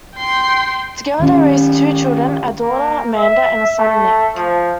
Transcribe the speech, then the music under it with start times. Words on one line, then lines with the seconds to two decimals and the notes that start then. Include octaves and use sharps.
Together they raised two children, a daughter Amanda and a son Nick.
0.16 G5 C6
1.20 D#3 C#4
2.60 A#3
3.16 E5
3.79 A3
4.36 F3